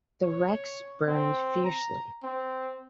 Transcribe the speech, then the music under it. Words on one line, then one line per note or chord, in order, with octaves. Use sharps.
The wrecks burned fiercely.
C#5
C4
A#5
C4